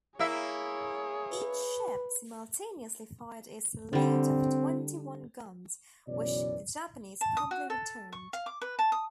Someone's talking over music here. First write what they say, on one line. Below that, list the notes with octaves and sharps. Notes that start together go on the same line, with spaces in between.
Each ship simultaneously fired a salute of twenty-one guns, which the Japanese promptly returned.
A#3 E4 G#4 C#5 E5
B4
D3 G3 C4
C#2 F#2 B2 E3 C#5 D5
A5
D#6
F#4
A4
C#6
F5
D6
B4
A5
D#6